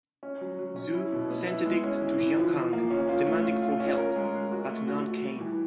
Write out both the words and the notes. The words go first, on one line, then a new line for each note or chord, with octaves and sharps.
Zu sent edicts to Jiankang demanding for help but none came.
C#4
F#3
F#3
C#4
E4
B2
B3
E4
G#3
C#4
E3
E3
F3
F3
A#3
C#4
F4
A3
F4
F4
C#4
A#4
G#3
G#3
F#4
A3
F#4
F#4
G3
E3